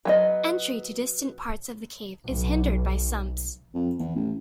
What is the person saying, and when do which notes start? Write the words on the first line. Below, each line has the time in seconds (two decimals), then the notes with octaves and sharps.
Entry to distant parts of the cave is hindered by sumps.
0.05 F#3 B3 D#5
2.26 B1
3.74 F2
3.99 E2
4.16 A1